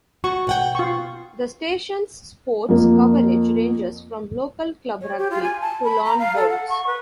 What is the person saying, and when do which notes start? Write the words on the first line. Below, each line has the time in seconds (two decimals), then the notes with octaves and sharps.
The stations sports coverage ranges from local club rugby to lawn bowls.
0.24 F#4 C#6
0.47 B2 F#5 G5
0.75 F4 C#6
2.69 F2 A#3
5.01 C#5
5.18 G4
5.31 F4
5.43 G#5
5.61 A5
5.84 B5
6.05 A#5
6.19 F5
6.36 A4
6.50 F#5
6.69 C#6
6.87 B4